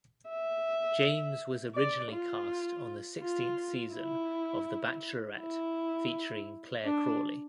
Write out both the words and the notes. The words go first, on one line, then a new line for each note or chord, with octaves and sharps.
James was originally cast on the sixteenth season of "The Bachelorette" featuring Clare Crawley.
E5
D5
F4
F4
E4
E4
D4